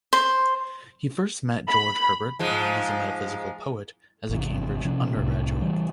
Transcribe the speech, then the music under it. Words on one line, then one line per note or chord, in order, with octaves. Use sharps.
He first met George Herbert, known as a metaphysical poet, as a Cambridge undergraduate.
C5
B5
G#2 F3 G#3
G#1 E2 C3
C3 F3 C#4
C2 A2 C3
C#3 E3 G3